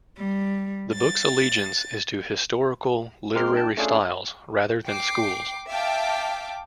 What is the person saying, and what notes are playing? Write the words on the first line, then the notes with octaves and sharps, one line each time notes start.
The book's allegiance is to historical literary styles rather than schools.
G3
A6
G#3 C4 A#4 C6 D6 F6
D#4 G5 A5
A3 C#4 D4 F4 G#4 A4
G5 D6 C7
E5 F5 G5 A5 D6